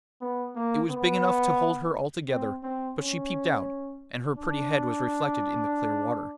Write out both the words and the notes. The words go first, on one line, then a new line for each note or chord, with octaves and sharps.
It was big enough to hold her altogether, but she peeped out, and her pretty head was reflected in the clear water.
B3
A#3
B3
C4
C4
C#4
D4